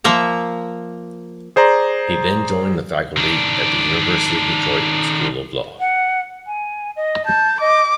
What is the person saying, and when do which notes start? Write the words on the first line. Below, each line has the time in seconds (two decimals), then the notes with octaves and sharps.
He then joined the faculty at the University of Detroit School of Law.
0.04 F3 A#3 E5 A#5
1.56 G#4 C5 D5 A#5
3.17 D#3 D4
5.80 F#5
6.47 G#5
6.96 D#5
7.26 A5 G6
7.61 D#5 D6